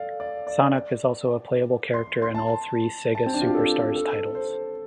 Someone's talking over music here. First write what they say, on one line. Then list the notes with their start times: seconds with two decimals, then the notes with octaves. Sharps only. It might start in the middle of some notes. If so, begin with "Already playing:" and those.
Sonic is also a playable character in all three "Sega Superstars" titles.
Already playing: A4 D5 F5
0.20 D5
0.47 D5
1.94 C6
2.22 C6
2.35 A5
3.15 A5
3.26 C4
3.34 D4
3.41 F4
3.47 G4
3.55 A4
3.95 A4
4.35 C5